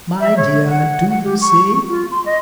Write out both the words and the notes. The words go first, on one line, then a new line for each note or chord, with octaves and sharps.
My dear, do you see?'
E5
C#5
F#5
F#5
G4
C#6
F4
C6
D#5